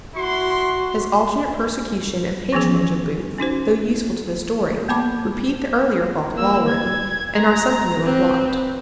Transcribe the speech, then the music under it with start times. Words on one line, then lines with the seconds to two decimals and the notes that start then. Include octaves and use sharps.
His alternate persecution and patronage of Booth, though useful to the story, repeat the earlier fault of Allworthy, and are something of a blot.
0.15 E4 F#4 C6
2.53 E3 F3 B3 C#4 G#4
3.38 C#4 D#4 F#4 C5
4.88 A#3 B3 A5 B5 D6
6.35 A#3 E6
6.68 G#6
7.35 A#5
8.00 C4 B4